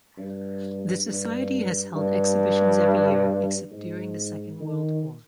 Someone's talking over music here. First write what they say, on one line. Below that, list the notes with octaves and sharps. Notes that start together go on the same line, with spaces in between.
The society has held exhibitions every year except during the Second World War.
G2
G2
G2
G#2
D#3